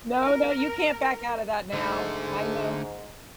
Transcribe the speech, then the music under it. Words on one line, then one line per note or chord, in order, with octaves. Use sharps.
No, no, you can't back out of that now. I know f
A#4
G#2 D3 A3